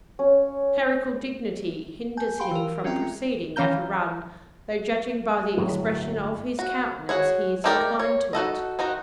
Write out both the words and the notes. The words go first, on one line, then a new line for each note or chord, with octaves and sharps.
Clerical dignity hinders him from proceeding at a run, though judging by the expression of his countenance he is inclined to it.
C#4
G#5 A5 G6
G4 F5 G5 B5 C6
E3 A#4
C4 C#4 F4 E5 G5 A#5
E3 C#4 F5 A#5 G6
G1 A2 F#3 G#3
F#4
F#4 G#4 C#5
A3 D#4 G4 A#4 D5
C#5
D#4 F#4 A4 D#5
D#3 D#4 F#4